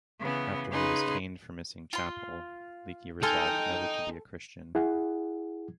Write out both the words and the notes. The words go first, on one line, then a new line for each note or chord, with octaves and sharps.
After he was caned for missing chapel, Leakey resolved never to be a Christian.
C#3 E3 B3
C#3 D#4 G#4 B4 C6
F4 C6
D#4 A4 G5 G#5 C6 F6
E4 G#4 F#5